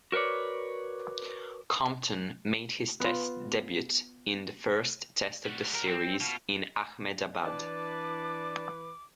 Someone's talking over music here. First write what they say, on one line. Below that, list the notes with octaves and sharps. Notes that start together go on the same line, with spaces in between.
Compton made his test debut in the first Test of the series in Ahmedabad.
F#4 A#4 B4 C#5 D5
B3 F4
G3 F#4
A#4
C4
B2 F4
E3 D4 B4 D5 A5 D6